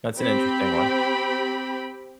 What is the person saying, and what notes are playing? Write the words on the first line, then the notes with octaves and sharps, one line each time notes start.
That's an interesting one.
C4 G4 G5 B5